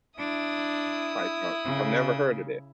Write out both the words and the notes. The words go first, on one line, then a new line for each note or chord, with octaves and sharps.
Python. I've never heard of that.
D4 E4 D#6
C#3